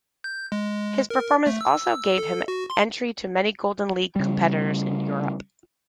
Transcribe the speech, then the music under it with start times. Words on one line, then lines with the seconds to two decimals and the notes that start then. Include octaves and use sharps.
His performance also gave him entry to many Golden League competitions in Europe.
0.24 G6
0.52 G#3
1.10 A#4
1.47 A3
1.61 E6
2.18 A4
2.48 F#4
2.70 C6
4.16 C#3 G3